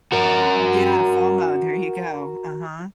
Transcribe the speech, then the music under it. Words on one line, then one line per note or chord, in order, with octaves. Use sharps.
Yeah, FOMO, there you go, uh-huh.
F#4 A#4